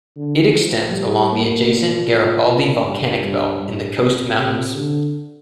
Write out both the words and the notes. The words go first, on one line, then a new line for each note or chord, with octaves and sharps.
It extends along the adjacent Garibaldi Volcanic Belt in the Coast Mountains.
D3
F3
G3
A#3
A#2
G2
G2
G2
C3
C3
D3